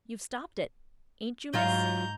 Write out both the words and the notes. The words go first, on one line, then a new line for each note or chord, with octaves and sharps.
"You've stopped it--ain't you, miss?"
G#2 F#3 F4 F5 A#5 G6